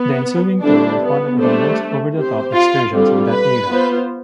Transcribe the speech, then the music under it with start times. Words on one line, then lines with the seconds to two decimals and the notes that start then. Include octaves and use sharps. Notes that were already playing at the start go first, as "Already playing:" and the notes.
The ensuing tour was one of the most over-the-top excursions of that era.
Already playing: B3
0.62 D3 G3 C4 D4 E4 G4
1.01 B3
1.38 G3 A3 D4 A4 C5
2.15 C4 G4 C5
2.53 F4
2.91 D3 G3 C4 F4 A4
3.29 B4
3.67 B3 F4 C5